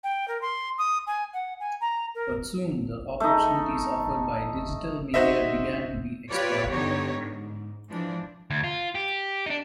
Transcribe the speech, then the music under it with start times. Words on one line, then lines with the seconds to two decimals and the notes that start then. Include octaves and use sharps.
But soon the opportunities offered by digital media began to be exploited.
0.03 G5
0.28 A#4
0.42 C6
0.78 D#6
1.07 G#5
1.33 F#5
1.60 G#5
1.81 A#5
2.15 A#4
3.20 A3 D#4
5.14 D#4 F#4 C5 D#5 E5
6.30 F4 G4 B4 C#5 D5
6.70 G2 D3 B3 D#4 G4 C#5
7.11 G#2
7.89 E3 F3 G#3 D4
8.50 D2
8.64 F4
8.95 G4
9.46 D4 D#4